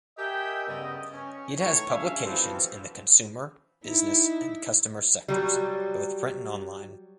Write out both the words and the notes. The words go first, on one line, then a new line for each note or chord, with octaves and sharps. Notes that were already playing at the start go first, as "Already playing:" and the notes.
It has publications in the consumer, business and customer sectors, both print and online.
G4 A#4 D#5 E5 G5 G#5
G2 C#3 B3 D#5
C#4
D#3 E3 A3 C#5
G#3 C#4 D4 E5 F5
B2 E3 F3 B3 C4
D#4 E4
F#3 G3